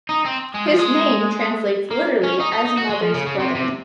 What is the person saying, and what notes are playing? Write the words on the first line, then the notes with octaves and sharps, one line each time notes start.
His name translates literally as mother's brother.
D#4
C4
G#3
F3
G#3
A#3
C#4
D#4
D#4
D#4
F#4
G#3
F3
C#3
C#3
C3
C3